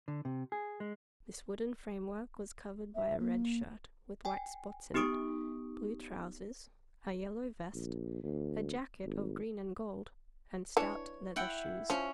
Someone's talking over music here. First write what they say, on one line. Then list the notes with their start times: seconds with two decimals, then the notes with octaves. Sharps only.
This wooden framework was covered by a red shirt--with white spots in it--blue trousers, a yellow vest, a jacket of green-and-gold and stout leather shoes.
0.08 D3
0.25 C3
0.52 G#4
0.80 G#3
2.95 E5
3.19 A#3
4.25 G5 G#5
4.94 B3 D#4 G4 C#6 D#6 D7
7.73 A#1
8.24 D2
9.04 G#1
10.77 E3 D4 C#5
11.36 E4 F#5 G5
11.90 F3 C#4